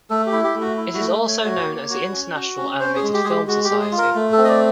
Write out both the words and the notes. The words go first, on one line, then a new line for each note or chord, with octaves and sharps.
It is also known as the International Animated Film Society.
A3 A4
G4
E4
G4
A3
F#4
E4
F#4
A3
A3
C#5
F#4
A#3
F#4
C#4
F#4
C#4
C#4 C5
G#4
G#3
G4
G#3 G#4
G4
G#3 F#4
G4
G#3
G#4
F4
A#4
A3
A4
C4
D#5
D5